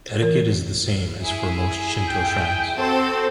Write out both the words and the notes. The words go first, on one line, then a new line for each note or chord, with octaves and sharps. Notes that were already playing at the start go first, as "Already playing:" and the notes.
Etiquette is the same as for most Shinto shrines.
E3 A#4
E4 G#4
G5
C4 F#4 A4 C5